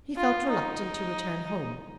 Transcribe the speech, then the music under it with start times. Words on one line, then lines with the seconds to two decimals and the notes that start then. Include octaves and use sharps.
He felt reluctant to return home.
0.16 F4
0.49 D#4